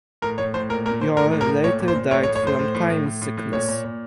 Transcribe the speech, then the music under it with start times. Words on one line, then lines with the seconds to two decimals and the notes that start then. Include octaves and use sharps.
Yor later died from time sickness.
0.22 A2 A#4
0.38 A2 C#5
0.54 A2 C5
0.69 A#2 A#4
0.86 A#2 A#4
1.01 A#2 C5
1.17 A2 A#4
1.33 A2
1.41 A#4
1.49 A2
1.64 A#2 C#5
1.80 A#2
1.88 C5
1.96 A#2
2.11 A2 C#5
2.23 C#5
2.27 A2
2.35 C#5
2.43 A2 C5
2.59 A2
2.75 A2
2.90 A2
3.06 A2
3.22 A2
3.37 A2
3.53 A#2 C#5
3.69 A#2
3.85 A#2